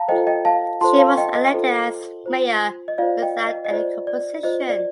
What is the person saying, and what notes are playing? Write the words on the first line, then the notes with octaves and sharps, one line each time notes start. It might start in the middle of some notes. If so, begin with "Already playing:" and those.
She was elected as Mayor without any opposition.
Already playing: F5 A5 A#5
F4 A4 C5 D#5 G5
D#5 G5
F5 A5
F4 A4 C5 A5 C6
F5 A5
D#5 G5
D#5
F4 A4 C5
F4 C5
D#5
F4 C5 D5 F5
D#5 G5
D#5
D#5
F4 C5 D5
D5
F4 C5 D#5
D5